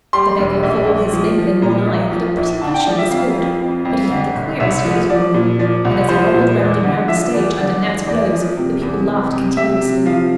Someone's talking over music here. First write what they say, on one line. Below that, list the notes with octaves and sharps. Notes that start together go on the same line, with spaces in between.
The beggar, for all his limp and one eye, had a pretty notion of the sport, but he had the queerest gait upon him; and as he hobbled round and round the stage under Nat's blows the people laughed continuously.
G3 C6
E1
A#1
A#1
F3
F3
A#2 A#5
A#1
F3
A#1
D3 A5
G5
F3 D5
E5
F2 F5
F3
F2
F2
D3
G1
C2 E5
F3
F3 D5
A#2
F3 D5
C2
F3 C5
A#2
E2 D5
D3
F3 E5
E2 D5
D3 D5
E2
E2 D5
F3
C3
E2
C3
C3
C3 E5
C3
F3 F5